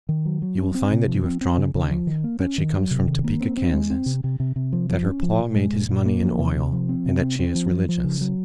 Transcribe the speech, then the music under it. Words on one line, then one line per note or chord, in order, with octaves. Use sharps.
You will find that you have drawn a blank, that she comes from Topeka, Kan., that her paw made his money in oil, and that she is religious.
D#3
F#3
F#3
C#4
C4
C3
F3
C4
C4
C#3
C#3
F3
D#3
A#3
C#4
D#3
F#3
C3
D#3
A#3
C4
C4
G#3
C4
C3
C3
C3
C3
F3
F3
C#4
F3
A#2
G#3
A#2
A#2
A#3
F3
C3
C3
F3
C4
C3
C4
C4
F3
F3
F3
C#3
F#3